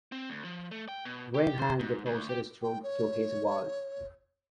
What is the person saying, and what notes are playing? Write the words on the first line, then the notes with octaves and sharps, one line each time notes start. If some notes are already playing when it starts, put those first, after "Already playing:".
Grant had the poster stuck to his wall.
C4
D2
F3
A3
G5
B2
G4
C5
G#2
D2
G4
G5
C#5